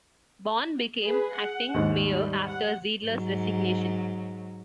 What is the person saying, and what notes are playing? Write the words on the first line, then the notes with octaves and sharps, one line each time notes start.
Bohn became acting mayor after Zeidler's resignation.
G#4 B4
F#5
D#2 G#2
G3
F#5
G#2 F#3